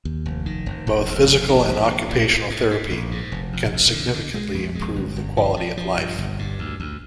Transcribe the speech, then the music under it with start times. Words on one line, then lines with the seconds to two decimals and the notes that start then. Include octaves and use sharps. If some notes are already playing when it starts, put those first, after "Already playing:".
Both physical and occupational therapy can significantly improve the quality of life.
0.05 D#2
0.26 F1
0.46 D#3
0.66 F1
0.87 F1
1.07 D#2
1.28 F1
1.48 D#3
1.68 A#1
1.89 A#1
2.09 G#2
2.30 G#2
2.50 G#2
2.71 G#2
2.91 A#1
3.12 G#2
3.32 F1
3.53 F2
3.73 F2
3.94 D3
4.14 D3
4.34 G#3
4.55 F2
4.75 G#3
4.96 G1
5.16 G1
5.37 F3
5.57 F3
5.77 F3
5.98 G2
6.18 G1
6.39 G2
6.59 D2
6.80 D2